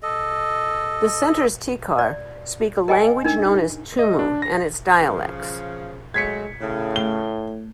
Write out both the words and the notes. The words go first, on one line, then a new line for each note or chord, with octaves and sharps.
The Centre's Tikar speak a language known as Tumu and its dialects.
A4 D#5
D5
A#4 D#5 G5 G#5
D4 D#4 A#4
D#5
D4
A#6
C#3 F3
A2 F#3 G#3 G#6 B6 C#7
A2 C#3
A3 G7